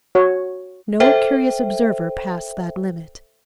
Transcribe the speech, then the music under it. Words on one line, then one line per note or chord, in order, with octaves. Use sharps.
No curious observer passed that limit.
F#4 C#5
A4 C5 E5 G5